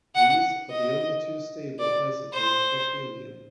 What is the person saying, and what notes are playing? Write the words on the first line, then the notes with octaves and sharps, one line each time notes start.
These are the only two stable isotopes of helium.
F#5
D#5
D5
C5